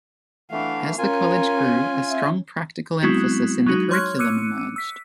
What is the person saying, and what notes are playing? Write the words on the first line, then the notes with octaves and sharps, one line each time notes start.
As the College grew, a strong practical emphasis in the curriculum emerged.
E3 A3 D4 F5 F#5
C#4 F4 A#4 G#5
E5
F#3 G#3 B3 C4 E4 F#4
F#3 G#3 D#4 F#4
C#5 C6 C#6 F6 F#6 G#6
D6 E6 F#6 C#7 D#7
E6 B6